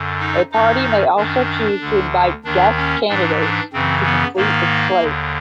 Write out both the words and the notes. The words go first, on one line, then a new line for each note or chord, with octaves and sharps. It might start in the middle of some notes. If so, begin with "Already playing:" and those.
A party may also choose to invite "guest candidates" to complete its slate.
Already playing: F#2 D3
D#4
F#2 D#3 D#4
F#2 D#3 D4
D2 D3
D#2 D#3 D4
C#4
G#2 E3 D4
D4
F#2 C#3 E3 C4
B3
G#2 D#3 A#3
D#2 D3